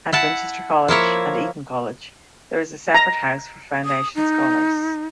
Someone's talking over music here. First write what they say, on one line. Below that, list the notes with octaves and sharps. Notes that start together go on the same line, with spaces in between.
At Winchester College and Eton College, there is a separate house for foundation scholars.
E4 F#5 A5
F3 A#3 E4 C#5
A#5
D#6
D#4